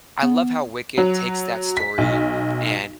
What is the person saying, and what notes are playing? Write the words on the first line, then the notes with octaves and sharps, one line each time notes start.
I love how Wicked takes that story and
B3
F#3
B6
B1